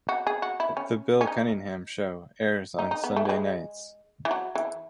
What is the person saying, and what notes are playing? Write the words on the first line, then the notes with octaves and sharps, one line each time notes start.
"The Bill Cunningham Show" airs on Sunday nights.
F#4
G#4
F#4
E4
C#4
C#4
D#4
D#4
D#4
B3
A3
F#3
G#3
E3
F#3
E3